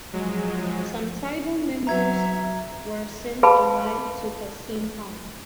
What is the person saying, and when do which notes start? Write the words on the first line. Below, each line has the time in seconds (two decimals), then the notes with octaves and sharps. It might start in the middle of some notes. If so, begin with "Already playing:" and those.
Some tribal members were sent alive to Qasim Khan.
0.13 F3 F#3 G#3
1.87 F#3 E5 A#5 G#6
3.43 G#4 B4 F5 A5 B5